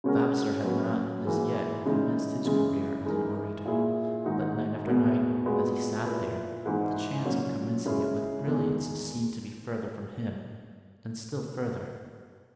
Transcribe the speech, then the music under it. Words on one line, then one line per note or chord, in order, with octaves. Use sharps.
Vavasor had not as yet commenced his career as an orator; but night after night, as he sat there, the chance of commencing it with brilliance seemed to be further from him, and still further.
C#3 G#3 C#4 F#4 A#4
F#3 A#3 C#4 F#4 B4
G#2 E3 A#3
C#3 E3 G#3 D#4 G#4
C#3 E3 G#3
E3 G#3 D#4 A#4
A#2 A#3 E4 G#4
G#2 D#3 G#3 D#4 F#4
E2 B2 A#3
A#2 G#3 B3 F#4 B4
A#2 A#3 E4 B4
G#2 E3 G#3 D#4
A#2 F#3 C#4
C#3 G#3 C#4 E4 G#4
E2 D#3 G#3